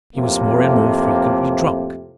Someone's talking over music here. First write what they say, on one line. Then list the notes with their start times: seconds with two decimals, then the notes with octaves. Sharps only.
He was more and more frequently drunk.
0.15 F2 A2 C3 A#3